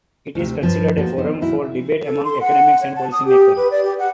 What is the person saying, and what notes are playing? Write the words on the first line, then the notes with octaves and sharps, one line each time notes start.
It is considered a forum for debate among academics and policy makers.
D2 C3
G2 F3
F3 A#3 F#4
B3 D#4 C5
A#2 D#3 E4 F#4
A4
C6
F#5
C#5
A5
D#6
G4
B4
D5
G4
F#5